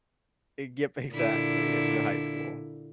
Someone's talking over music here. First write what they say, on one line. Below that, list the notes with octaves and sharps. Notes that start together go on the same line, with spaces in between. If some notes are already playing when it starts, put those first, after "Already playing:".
A g exactly it's in high school.
A#2 D3 E4